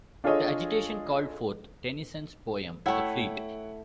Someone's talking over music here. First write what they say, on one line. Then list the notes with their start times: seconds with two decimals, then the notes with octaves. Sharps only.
The agitation called forth Tennyson's poem "The Fleet".
0.24 D4 F4 G#4 A4 C#5 D#5
2.86 A3 E4 C#5 F#5 G5